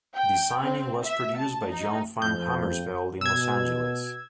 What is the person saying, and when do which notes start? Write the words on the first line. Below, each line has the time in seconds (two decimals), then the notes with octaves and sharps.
Designing was produced by John Van Hamersveld in Los Angeles.
0.15 G5
0.62 C4
1.04 E5
1.38 A5
1.71 D#4
2.22 F2 G6
3.21 B2 E6 G#6